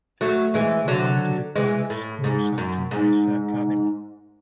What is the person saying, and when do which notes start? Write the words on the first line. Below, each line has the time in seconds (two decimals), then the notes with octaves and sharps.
He went to the public schools and to Marissa Academy.
0.21 F#3 A3
0.54 E3 G#3
0.88 D3 F#3
1.56 E3 G#3
1.90 A2
2.24 G#2
2.58 F#2
2.91 G#2